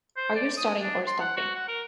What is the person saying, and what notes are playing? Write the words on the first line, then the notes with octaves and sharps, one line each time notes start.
Are you starting or stopping?
C5
D5
D#6
D4
C6
F#5
F#4
F#5
A#4